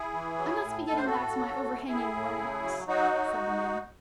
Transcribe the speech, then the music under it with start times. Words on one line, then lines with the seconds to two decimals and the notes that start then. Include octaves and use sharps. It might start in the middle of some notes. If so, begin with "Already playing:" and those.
"I must be getting back to my overhanging warehouse," said the man.
Already playing: E4 G#4
0.13 E3
0.38 F#3
0.63 A2
0.87 A2 A4
0.97 C5
1.06 F#4 A4
1.13 A2
1.38 F#3
1.62 A2
1.88 A2 E4 G#4
2.13 A2
2.37 C#3
2.63 F#3
2.88 F#3 D#4 F#4
3.13 F#3